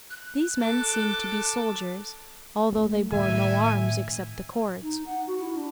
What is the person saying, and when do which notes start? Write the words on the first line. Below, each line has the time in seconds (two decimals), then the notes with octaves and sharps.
These men seemed to be soldiers, although they bore no arms except the cords.
0.10 F#6
0.58 A4 D6
2.73 A3
3.12 A2 D#3 F3 E5 G#5
4.82 D#4
5.06 F#5
5.27 F#4
5.39 E4
5.55 D4